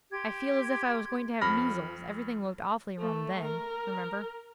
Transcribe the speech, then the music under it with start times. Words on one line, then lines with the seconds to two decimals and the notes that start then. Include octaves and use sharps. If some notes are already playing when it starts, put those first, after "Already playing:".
I feel as if I was going to have measles; everything looked awfully rum then, remember.'
0.11 G4 C6 G#6
1.41 F2 B5 F6 A#6
2.98 A3
3.44 A#4